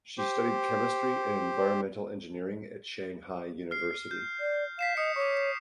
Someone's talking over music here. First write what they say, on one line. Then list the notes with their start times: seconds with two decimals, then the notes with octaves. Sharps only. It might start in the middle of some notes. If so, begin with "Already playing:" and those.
She studied chemistry and environmental engineering at Shanghai University.
0.18 G4 C5
3.71 F6 C7
4.11 G6
4.40 D5
4.79 F5 B6 C7 E7
4.97 D#5 D#6 C#7
5.16 C#5 C#6 D6